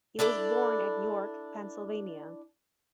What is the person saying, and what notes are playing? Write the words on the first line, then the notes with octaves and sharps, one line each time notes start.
He was born at York, Pennsylvania.
D4 E4 A4 D5